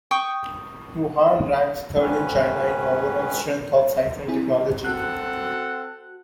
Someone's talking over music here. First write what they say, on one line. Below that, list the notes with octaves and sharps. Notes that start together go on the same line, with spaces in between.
Wuhan ranks third in China in overall strength of science and technology.
G5 C#6 D#6
D2 G#2 D#3 C#4 B4
C4 E4 G#4
C4 F#4 A4 F#5 F#6